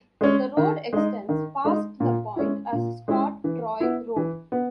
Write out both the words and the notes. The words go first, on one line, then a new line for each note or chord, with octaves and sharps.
The road extends past the point as "Scott-Troy Road".
G#3 C#4
D#3
G#3 D#4
D#3
G#3 D#4
A#2
G#3 C#4 E4
A#2
G#3 C#4 E4
E3
B3 E4
E3
B3